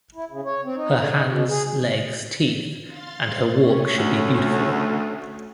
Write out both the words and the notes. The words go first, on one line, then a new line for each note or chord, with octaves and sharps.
Her hands, legs, teeth and her walk should be beautiful.
E4
C#3
C#5
C4
D#4
D3
D#4
B2
G#4
F5 C6 A6
A3 C#4 C#5
D2